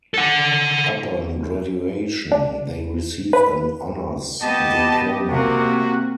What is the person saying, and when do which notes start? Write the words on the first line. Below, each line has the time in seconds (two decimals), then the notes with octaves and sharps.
Upon graduation, they receive an Honors diploma.
0.14 A4 F#5
2.32 D4
3.33 B4
4.42 B3 G4 D#5 A5
5.29 C3 A#3 F#4